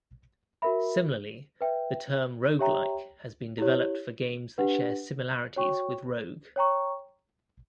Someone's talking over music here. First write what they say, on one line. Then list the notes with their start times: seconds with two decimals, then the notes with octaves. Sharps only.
Similarly, the term Roguelike has been developed for games that share similarities with "Rogue".
0.62 F#4 A#4 E5 B5
1.61 B4 E5 G5
2.59 G4 C#5 E5 G5 A#5
3.58 E4 G4 C#5
4.58 D4 G4 B4 F#5
5.56 F#4 C#5 G5 C#6
6.56 C#5 G5 A#5 C#6